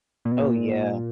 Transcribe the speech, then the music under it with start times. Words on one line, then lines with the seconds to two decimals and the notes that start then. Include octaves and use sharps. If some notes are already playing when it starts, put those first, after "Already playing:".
Oh, yeah.
0.25 A#2
0.32 B2
0.40 A#2